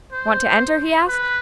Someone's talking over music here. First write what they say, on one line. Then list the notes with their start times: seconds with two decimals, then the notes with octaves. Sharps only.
"Want to enter?" he asked.
0.12 C5
1.08 B4